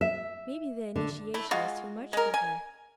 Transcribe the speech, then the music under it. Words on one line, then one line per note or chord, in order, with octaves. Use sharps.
"Maybe the initiation was too much for her."
E5
D3
A3 E4
G#3 F4 F#4
G#3 A#4
G#5